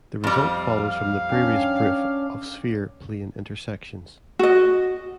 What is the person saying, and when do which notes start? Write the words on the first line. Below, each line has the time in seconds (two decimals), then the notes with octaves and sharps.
The result follows from the previous proof for sphere-plane intersections.
0.24 F2 G3 F5
1.30 C#4 D4 G5
4.39 F#4 D#5